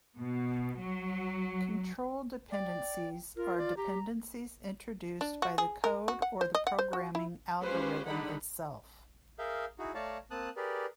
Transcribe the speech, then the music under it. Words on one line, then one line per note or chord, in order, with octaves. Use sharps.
Control dependencies are dependencies introduced by the code or the programming algorithm itself.
B2
F#3
D5 G5
F4 A#4
D5
G4 A#5
D4
F#4
G#4
A#4
F#4
F#5
C5
D#5
F#5
C5
F#4
E4
G#3 C#4 F4 G4 B4 C5
D3 G3 D#4 G#4 F#5 B5
G#4 A#4 E5 F5 G6
D#4 E4 F#4 G#4
A3 C#5 D5 F5 A5 A#5
A#3 C4 A5 D#6 F#6
G4 G#4 A#4 B4 D5